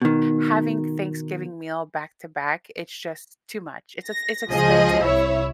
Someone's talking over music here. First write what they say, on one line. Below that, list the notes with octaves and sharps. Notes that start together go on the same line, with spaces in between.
having Thanksgiving meal back-to-back, it's just too much. It's eh it's expensive.
B2 D#3
A#6
C#2 F3 G#4 D#5
C2 E4 C#5 E5